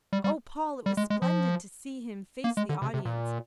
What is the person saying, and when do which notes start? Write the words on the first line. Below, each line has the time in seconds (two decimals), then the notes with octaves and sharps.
Oh, Paul, it was splendid to see him face the audience.
0.13 G3
0.24 G3
0.86 G3
0.97 G#3
1.10 G#3
1.22 F3
2.44 A#3
2.57 G#3
2.69 D3
2.82 C3
2.94 C3
3.05 A#2